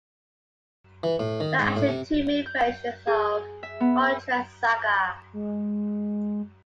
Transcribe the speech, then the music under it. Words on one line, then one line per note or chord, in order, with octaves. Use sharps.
There are actually two main versions of "Gautreks saga".
E3
A2
D#3
G#2
A2
C3
G6
G#4
E5
B3
G#3